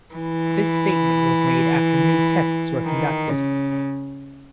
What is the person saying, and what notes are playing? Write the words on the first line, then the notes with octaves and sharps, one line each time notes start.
This statement was made after new tests were conducted.
E3
D#3
C#3